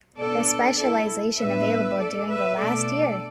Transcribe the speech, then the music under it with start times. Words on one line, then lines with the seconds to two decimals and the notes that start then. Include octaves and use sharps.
The specialization available during the last year.
0.18 B2 B3 D4 A4 D5
0.78 E4 A4
1.38 A2 G3 B3 D4 B4 E5
1.98 A4 D5
2.28 B4 E5
2.58 B2 A3 D4 A4 D5